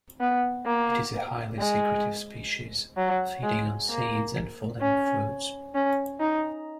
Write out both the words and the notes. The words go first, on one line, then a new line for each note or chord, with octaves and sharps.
It is a highly secretive species, feeding on seeds and fallen fruits.
B3
A#3
G#3
F#3
G#3
A#3
C#4
C#4
D#4